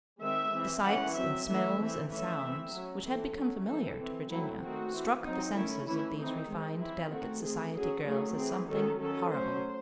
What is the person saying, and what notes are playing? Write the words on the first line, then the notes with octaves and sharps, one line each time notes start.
The sights and smells and sounds which had become familiar to Virginia struck the senses of these refined, delicate society girls as something horrible.
D#3 G#3 C4 E5
E3 C4
E3 G#3 C#4 F#5
F#3 C4 E5
E3 A3 C#4 E5
E3 C4
E3 A3 C#4 E5
E3 C4
F#3 C#4
E3 C4 A4
F#3 C#4
E3 C4 A4
E3 C4
F#3 A3 C4 E4
D#3 A3 C4 F#4
E3 C4
F#3 C4 D#4
D#3 A3 C#4 E4
E3 A3 C#4 E4
E3 C4 D#4
D#3 G#3 C4
E3 C4 E4
D#3 A3 C4 F#4
D#3 A3 C4 G#4
F#3 C#4 G#4
D#3 F#3 A3 C#4 G#4
E3 C4 G#4
D#3 F#3 C#4 A4
D#3 F#3 C#4 A4
F#3 A3 C#4 C5